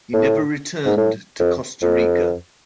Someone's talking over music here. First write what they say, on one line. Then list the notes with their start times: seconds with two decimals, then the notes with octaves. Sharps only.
He never returned to Costa Rica.
0.13 A2
0.86 G#2
0.97 A2
1.40 F2
1.83 F2